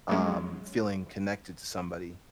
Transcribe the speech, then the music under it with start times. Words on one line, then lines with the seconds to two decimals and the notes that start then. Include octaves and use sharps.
um, feeling connected to somebody.
0.09 F#3 G#3 C#4